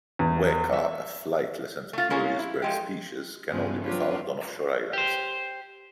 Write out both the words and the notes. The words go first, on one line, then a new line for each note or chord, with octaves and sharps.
Weka, a flightless and curious bird species, can only be found on offshore islands.
E2
E5
A3 F4
G#3 A#3 C#4 C#5
E4
F3 G#3 G4
G2 C#3 F3 G#3 B3
F#3 C4 D4 F4 B4 C#5
G4 C5